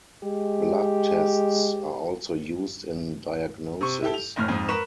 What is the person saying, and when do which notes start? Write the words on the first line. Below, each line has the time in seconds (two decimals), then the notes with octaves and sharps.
Blood tests are also used in diagnosis.
0.24 G#3 G4
3.81 C3 C#6
4.02 E4 G4 A4
4.14 F7
4.36 F#1 A2 F6
4.48 F2 G#2
4.69 A#4 B4 C#6 B6 E7